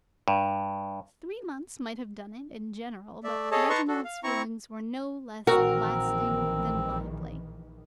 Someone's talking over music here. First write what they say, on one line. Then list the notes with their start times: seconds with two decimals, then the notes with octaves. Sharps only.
Three months might have done it in general, but Reginald's feelings were no less lasting than lively.
0.28 G2
3.24 A3 D5 E5
3.51 G#4 A4 C#5 D#5 A5
3.70 D#4 B4 A5 A#5 C6 C#6
3.88 D4 F#4 A4
4.05 F5
4.24 C4 E4 A#5 C#6
5.47 A#1 D#3 E3 C4 F#4 A#4